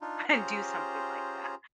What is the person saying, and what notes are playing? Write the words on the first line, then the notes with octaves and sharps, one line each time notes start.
and do something like that.
D4 D#4 F4
C#4 F4 G4 G#4 C5 A#5